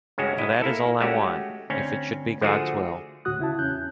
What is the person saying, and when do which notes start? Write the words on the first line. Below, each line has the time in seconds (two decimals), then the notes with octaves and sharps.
Now that is all I want: if it should be God's will.
0.18 G2 C#3 G#3 C#4 F#4
0.39 E4 D#5
0.62 A#3 E4 A4
1.00 G#3 A3 C#4 F#4 G4
1.70 D2 C4 C#4
2.41 D3 F3 A3 F#4 G#4
3.25 D2 A2 F#4 D#6 F#6
3.39 C#3 E4 A5
3.59 E2 C#4 F#6 G6